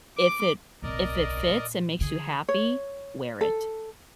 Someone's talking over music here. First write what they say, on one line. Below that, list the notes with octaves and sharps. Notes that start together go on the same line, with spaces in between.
if it if it fits and makes you happy, wear it.
D6
D1 B1 A#4 D5 D#5
A#2
D3 G#4
C#5
A4